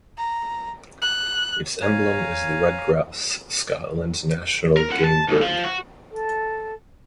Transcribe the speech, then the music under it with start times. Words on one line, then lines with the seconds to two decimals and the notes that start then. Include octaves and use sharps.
Its emblem is the Red Grouse, Scotland's national game bird.
0.18 A#5
1.02 F#6
1.82 C#5 F5 G#5 A#5
4.77 A#4
4.89 C#2 F#5
5.04 A5
5.28 D#2 G#2
5.42 F3
5.64 F#4
6.10 A4